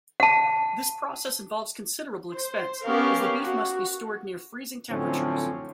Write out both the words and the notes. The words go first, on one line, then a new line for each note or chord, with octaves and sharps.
This process involves considerable expense, as the beef must be stored near freezing temperatures.
F#5 A5
C5
B3 C#4 G4 A#4 F5
F#4
F#2 A2 D3 F3 C4 C#4